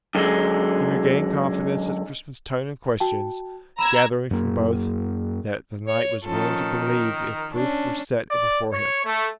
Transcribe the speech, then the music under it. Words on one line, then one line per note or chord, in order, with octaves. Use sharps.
He regained confidence at Crispin's tone and questions, gathering from both that the knight was willing to believe if proof were set before him.
F#2 D3 G#3
F#4 G5 A5
A#5 B5 E6 G#6
F#2 A#3
C#5
D#3 F3 C#4 A4
A#4
C#4 D4
D5
C#5
A3